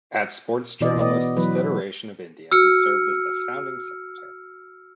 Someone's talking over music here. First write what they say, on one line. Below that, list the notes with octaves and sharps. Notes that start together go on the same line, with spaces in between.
At Sports Journalists’ Federation of India he served as the founding secretary.
B2 E3 D5 D#5
B2 B3 D5 D#5
E3 F#3 B3 B4
F#4 E6 F6 C#7